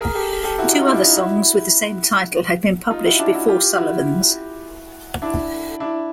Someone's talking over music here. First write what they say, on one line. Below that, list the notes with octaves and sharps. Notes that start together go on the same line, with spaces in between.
Two other songs with the same title had been published before Sullivan's.
G#4 A#4
G4 A4
G4 A4
E4 F#4
D#4 F4
D4 E4
D#4 F4
E4 F#4
D#4 F4
E4 F#4
D4 E4
E4 F#4
F4 G4
E4 F#4
D4 E4
D4 E4